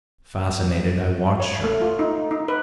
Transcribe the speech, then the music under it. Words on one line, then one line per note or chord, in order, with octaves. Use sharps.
Fascinated, I watched her.
C#5
A3
F4
D#4
D#4
B4